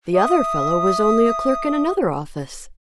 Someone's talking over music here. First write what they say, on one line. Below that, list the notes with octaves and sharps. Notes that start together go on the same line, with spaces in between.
"The other fellow was only a clerk in another office."
E5 D#6